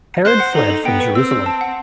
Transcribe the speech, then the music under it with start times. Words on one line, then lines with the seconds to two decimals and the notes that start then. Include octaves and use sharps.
Herod fled from Jerusalem.
0.25 C5 F#6
0.40 F#5
0.55 D#4 A4
0.70 A4
0.85 B3 G5
1.00 B4
1.15 C4 E6
1.31 E6
1.46 A5
1.61 F#5